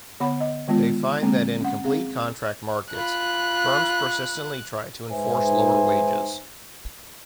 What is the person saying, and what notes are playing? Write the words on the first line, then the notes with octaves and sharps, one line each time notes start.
They find that in complete contract markets, firms persistently try to enforce lower wages.
D3 B3 C#5 F#5 B5
D#5
D#3 G#3 B3 F4
D3 G#3 A#3 C4
C#4 F#5
C4 G#4 F5
F4 B5 F#6
G#2 D#4 B4 C5 E5 G#5